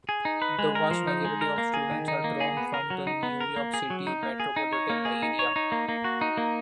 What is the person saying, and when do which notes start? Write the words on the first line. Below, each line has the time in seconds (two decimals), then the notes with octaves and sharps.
The vast majority of students are drawn from the New York City metropolitan area.
0.09 G#4
0.25 D#4
0.42 B4
0.59 G#3
0.75 A#4
0.91 F3
1.07 D#4
1.25 G#3
1.41 A#4
1.58 A#3
1.74 G#4
1.91 D#3
2.08 D#4
2.24 A#3
2.40 G#4
2.57 B3
2.74 A#4
2.90 F#3
3.07 D#4
3.23 B3
3.41 A#4
3.56 A#3
3.74 G#4
3.90 F#3
4.07 D#4
4.23 A#3
4.40 G#4
4.56 D#4
4.73 C#5
4.90 A#3
5.05 G#4
5.23 D#4
5.39 C#5
5.56 D#4
5.72 A#3
5.89 A#3
6.04 F#4
6.21 D#4
6.37 A#3